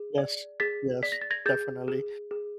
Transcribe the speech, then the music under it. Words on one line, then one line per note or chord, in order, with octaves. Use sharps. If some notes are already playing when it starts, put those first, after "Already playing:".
Yes, yes, definitely.
Already playing: G#4
D5
G#4 A6 B6
D5 B6
A#6
A6
G#6 A#6
G#4 G6 A6
G#4
G#4